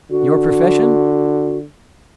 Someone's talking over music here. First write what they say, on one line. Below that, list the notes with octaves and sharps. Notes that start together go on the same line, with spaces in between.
"Your profession?"
D3 F#4